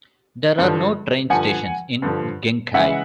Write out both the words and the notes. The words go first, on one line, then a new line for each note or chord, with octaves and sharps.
There are no train stations in Genkai.
G2 D3 F3
G2 D3 F3 F#5 G#5
G2 D3 F3
C#3 E3 G#3 E5 F#5